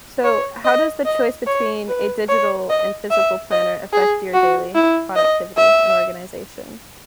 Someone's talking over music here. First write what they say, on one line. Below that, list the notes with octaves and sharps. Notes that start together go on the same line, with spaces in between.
so, how does the choice between a digital and physical planner affect your daily productivity and organization?
C#5
D#5
D#5
C#5
B4
C#5
D#5
E5
D#5
G#4
F#4
E4
D#5
E5